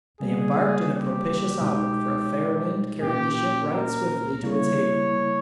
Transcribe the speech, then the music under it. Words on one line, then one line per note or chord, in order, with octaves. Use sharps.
They embarked in a propitious hour, for a fair wind carried the ship right swiftly to its haven.
C#3 G3 A#3 G#4
G4
B2 G#3 D#4
A#2 A#3 C#4 G4
A#4
C#3 G3 A#3 E4 C#5